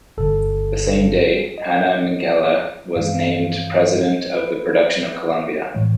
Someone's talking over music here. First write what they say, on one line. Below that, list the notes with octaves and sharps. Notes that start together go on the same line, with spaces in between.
The same day, Hanna Minghella was named president of production of Columbia.
G1 G2 D3 A4
D#5
G2 E3 G#3 F5
B4
A2 E3 G#3 C#5